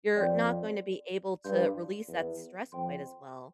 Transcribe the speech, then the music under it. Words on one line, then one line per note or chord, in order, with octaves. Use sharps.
you're not going to be able to release that stress quite as well
F2 D5 G5 C6 G6
G2 D5 F5 C6 G6
E2
F2 C5 G5 C6